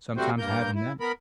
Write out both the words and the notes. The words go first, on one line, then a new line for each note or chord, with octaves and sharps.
sometimes having that
G3 A3 C4 F#4 C5
G2 A#3 A#4 G6
E4
B3 A#4 B5